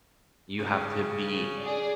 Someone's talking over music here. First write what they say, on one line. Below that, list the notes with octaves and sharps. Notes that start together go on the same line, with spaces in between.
you have to be
C#3
G#4 D5